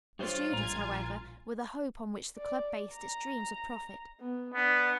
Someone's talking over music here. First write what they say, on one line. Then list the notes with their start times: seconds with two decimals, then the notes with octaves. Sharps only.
The students, however, were the hope on which the club based its dreams of profit.
0.19 G2 G3 F4 C5 C#5
0.53 A#1 G#5 A#5 G#6
2.37 D5
2.94 A#5
4.20 B3
4.54 B3 D4